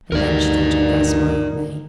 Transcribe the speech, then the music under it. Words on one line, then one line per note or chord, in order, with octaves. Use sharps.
And then she thought of Guss Mildmay.
D2 G2 D#4 A#4 D5